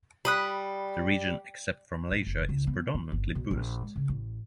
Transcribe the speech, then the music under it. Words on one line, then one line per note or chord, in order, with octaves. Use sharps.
The region except for Malaysia is predominantly Buddhist.
G3 B5 D#6 F#6
A2
F#1
C#2
B3
D#3
G1
B1
A#1
G#3
C#3
A1